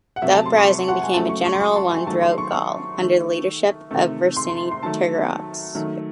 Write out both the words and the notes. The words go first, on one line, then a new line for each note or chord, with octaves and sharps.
The uprising became a general one throughout Gaul, under the leadership of Vercingetorix.
F#5
C3 F#3 A3 E5
A5
C6
C#6
F#5
G#5
C#3 F#3 A3 A5
C#6
C#6
C6
C#6
A5
G#5
D#3 F#3 A3 A5
C6
C#6
C#6
D#3 A3
C3 D#3 A3
C6
C6
C6
D#3 F#3 A3 A5
D#3 F#3 A3